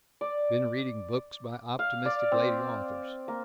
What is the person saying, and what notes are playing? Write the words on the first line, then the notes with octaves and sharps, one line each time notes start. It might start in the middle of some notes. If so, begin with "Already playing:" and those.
Been reading books by optimistic lady authors.
D5
F5
D5
C4
A#3